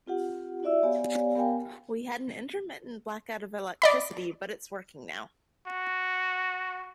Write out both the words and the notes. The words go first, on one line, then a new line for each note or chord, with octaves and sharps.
We had an intermittent blackout of electricity, but it's working now.
C4 F4 G4 F#5
E4 F#4 D5 E5 E6
B3 G4 C#5 D5 F5 G#5
B3 G4 A#4 F5 G5 G#5
D5 D#5 B5
F#4